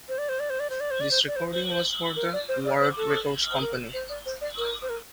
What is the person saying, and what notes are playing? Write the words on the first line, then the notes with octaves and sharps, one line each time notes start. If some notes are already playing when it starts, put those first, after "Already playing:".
This recording was for the Word Records company.
C5
D5
C5
D5
C5
D5
C5
D5
C5
D5
C5
D5
C5
C5
C5
A#4
D5
C5
D5
C5
A4
C5
A#4
C5
D5
C5
D5
A#4
C5
A#4